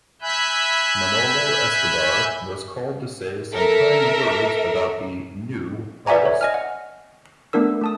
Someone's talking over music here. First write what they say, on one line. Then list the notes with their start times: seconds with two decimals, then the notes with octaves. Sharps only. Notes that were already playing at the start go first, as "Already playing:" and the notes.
Manolo Escobar was called to say some kind words about the "new" artist.
0.22 E5 G#5 B5 E6 F#6 G6
3.52 A4 A#4 E5
6.07 B4 D5 E5 F#5 G#5 A#5
6.25 C#5
6.41 D#5 G#5 F6
6.54 F#5
7.53 A3 B3 D4 A#4 E6
7.82 A3 A5 D#6